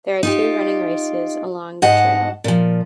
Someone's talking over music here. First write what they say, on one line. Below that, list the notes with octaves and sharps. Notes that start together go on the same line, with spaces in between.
There are two running races along the trail.
D#4 F4 G4
G#2 D#5 F#5 A5
A#2 F3